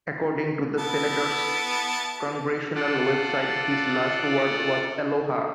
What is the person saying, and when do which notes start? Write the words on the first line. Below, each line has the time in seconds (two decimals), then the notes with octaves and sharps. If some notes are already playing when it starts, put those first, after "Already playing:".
According to the senator's Congressional web site, his last word was "Aloha".
0.78 B3 E4 A5
2.75 F4 A4 D5 F#5